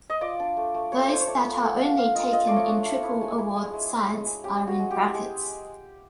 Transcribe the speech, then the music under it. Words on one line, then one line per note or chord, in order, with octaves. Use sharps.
Those that are only taken in Triple Award Science are in brackets.
D#5
F4 D5
D4
A3
A3
A3 C#5
C5
A3 C#5
A3 D5
F4
A3 F#5
D4 F5
D4 F5
F4 D#5
F4 D#5
A3 D5
C#5
D4
A3
E4
G#3
E4
G#3
G#3
G#3
G#3
G#3
C#4 G4
G#3
F#4
G#3
G4
E4
G#3